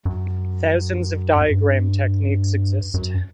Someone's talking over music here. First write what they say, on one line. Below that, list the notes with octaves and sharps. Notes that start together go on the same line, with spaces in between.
Thousands of diagram techniques exist.
F#2
F#2
G2
F#2